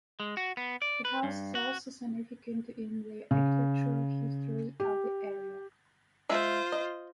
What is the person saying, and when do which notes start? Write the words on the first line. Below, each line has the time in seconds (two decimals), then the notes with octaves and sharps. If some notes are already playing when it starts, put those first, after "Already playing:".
The house is also significant in the architectural history of the area.
0.20 G#3
0.37 F#4
0.57 B3
0.82 D5
1.05 B4
1.23 G2
1.55 F#4
3.31 C#3
4.80 G4
6.29 G#3 F4 C5 E5
6.72 D#5